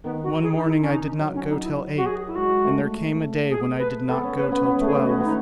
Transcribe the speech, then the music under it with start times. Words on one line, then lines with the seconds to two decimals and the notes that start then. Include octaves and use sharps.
One morning I did not go till eight, and there came a day when I did not go till twelve.
0.04 D#3 B3
0.24 F#4
0.43 G#4
0.56 D#4
0.62 E4
0.81 C#4
0.91 D#4
1.19 F#3
1.35 C#4
1.49 D#4
1.63 E4
1.97 F#4
2.06 G#4
2.27 E4
2.35 G#3 F#4
2.64 A3
3.50 G#4
3.79 B4
4.08 B3 A4
4.23 C#4
4.37 C#4 B4
4.52 B3
4.66 B3
4.81 A3 G#4
4.95 B3
5.04 F#4
5.09 C#4
5.20 B3 D#4